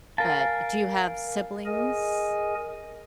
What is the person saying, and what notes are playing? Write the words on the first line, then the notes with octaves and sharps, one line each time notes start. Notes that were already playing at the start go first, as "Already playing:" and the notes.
But, do you have siblings?
A#4 F5 G#5 A5
G#4 A#4 D#5 G#5